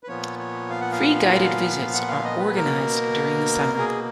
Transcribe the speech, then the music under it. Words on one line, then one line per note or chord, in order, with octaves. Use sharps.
Free guided visits are organised during the summer.
B4
A#2 F3 B3 C#5
C#5
F5
F#5
F5
F#5
F5
D#5
B4
B2 A#3 A#4
G#4